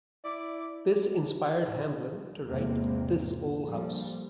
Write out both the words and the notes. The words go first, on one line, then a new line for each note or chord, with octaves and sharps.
This inspired Hamblen to write "This Ole House".
E4 D5 D6
G#1 E2 C3 G#3 A#3 C4
F3 G3 A#3